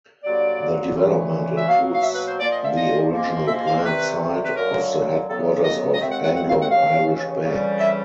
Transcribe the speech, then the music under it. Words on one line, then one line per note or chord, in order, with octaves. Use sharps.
The development includes the original planned site of the headquarters of Anglo Irish Bank.
G2 D3 F#3 A#3 D5
D2 C#3 E3
E5
B2 F#3 A#3 F5
F5
E5
B4
C5
A#2 F3 A#3 D5
D#5
E5
D#5
G#2 F3 A#3
E5
F5
C2 C3 D#3 B4
B4
F#2 D3 F#3 A#3 A#4
F2 C#3 F#3 B3 A4
D#5
D#5
D#2 D#3 G#3 C4 E5
F#5
F#5
F#5
F5
F#5
D#2 C#3 E3 F5
F2 C#3 E3 G3
E5